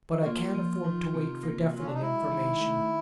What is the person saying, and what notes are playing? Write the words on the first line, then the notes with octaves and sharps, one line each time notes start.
But I can afford to wait for definite information.
F#4
A#3 F4
F3
D#3
C3
A#3
F#3
C#4
D4
D#4
G#3 E4
D#3
A3